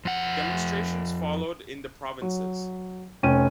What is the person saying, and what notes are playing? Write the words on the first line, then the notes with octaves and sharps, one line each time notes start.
Demonstrations followed in the provinces.
F2 F#5
F#3
F1 C#4 G5 D#7